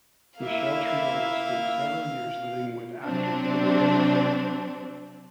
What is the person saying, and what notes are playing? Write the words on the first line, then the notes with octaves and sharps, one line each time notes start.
Michelle Triola spent several years living with actor Lee Marvin.
A#3 E4 E5 F5
C3 F#3 C4 D4